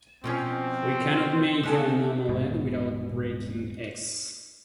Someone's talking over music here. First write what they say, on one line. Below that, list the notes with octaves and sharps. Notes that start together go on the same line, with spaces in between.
We cannot make an omelette without breaking eggs.
B2 F3 C4 C#4
B3 C#4 A4
D#1 G#2 B2